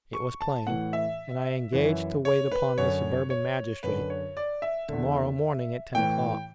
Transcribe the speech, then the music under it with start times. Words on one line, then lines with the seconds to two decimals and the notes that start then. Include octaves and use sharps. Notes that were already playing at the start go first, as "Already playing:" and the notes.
It was plain, and I engaged to wait upon the suburban Magistrate to-morrow morning at ten o'clock.
0.13 C#6
0.41 A5
0.67 A2 E3 F#5
0.93 E5
1.73 F#2 E3
2.25 C#5
2.52 B4
2.78 F#2 D3 C#5
3.30 C#5
3.83 F#2 D3 B4
4.10 C#5
4.37 D5
4.62 E5
4.88 E2 D3
5.95 A2 E3 G5